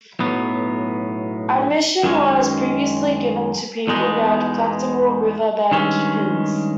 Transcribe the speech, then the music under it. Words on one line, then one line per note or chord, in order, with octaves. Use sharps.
Admission was previously given to people who had collectible "Riverbend Pins".
B1 A2 F#3 B3
F#2 D#3 G#3 C#4
E2 B2 G#3 B3 D#4
G2 D#3 G#3 C#4